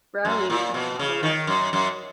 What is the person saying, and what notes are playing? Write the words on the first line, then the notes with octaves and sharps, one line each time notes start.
Rowley is the man on the left.
F#2
A#2
B2
C#3
D#3
F#2
F#2